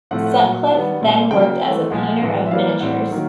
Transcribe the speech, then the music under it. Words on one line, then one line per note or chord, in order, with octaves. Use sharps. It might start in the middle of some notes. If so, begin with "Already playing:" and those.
Sutcliff then worked as a painter of miniatures.
A2 F3 A3 C4 F#5
F#5
A#2 F#3 A#3
D#3 G3 B3 F#5
A#2 G3 C4
C#3 F#3 A#3 G5
E3 A3 C4
A#2 F3 G#3 F#5
A2 E3 G#3 C4
E5
E3 G3 A#3 F5
A2 E3 G3 C4 F#5
D#3 F#3 A#3